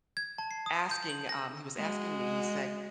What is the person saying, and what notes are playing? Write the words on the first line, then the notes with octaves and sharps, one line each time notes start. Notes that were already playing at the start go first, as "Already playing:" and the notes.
asking, um he was asking me, he said,
G#6
A5
C7
D#6
G6
F#7
A#6
G#3 F#4